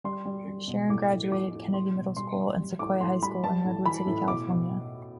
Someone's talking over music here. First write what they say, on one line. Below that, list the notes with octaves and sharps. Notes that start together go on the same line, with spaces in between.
Sharon graduated Kennedy Middle School and Sequoia High School in Redwood City, California.
G3 C6
G3
G3
B2
A2 D6
A2
F3 D6
A2
G3 C6
B2
G3 C6
G3
G3
A2 D6
A2 C6
G3 B5
G3 A5
A2
E3 B5
A2
B2 D6
B2